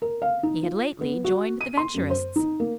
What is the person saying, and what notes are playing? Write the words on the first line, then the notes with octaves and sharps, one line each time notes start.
He had lately joined the Venturists.
A#4
F5
D#4
F4
B3
F#4
D#7
C6
F#2
C5
D#4
A#3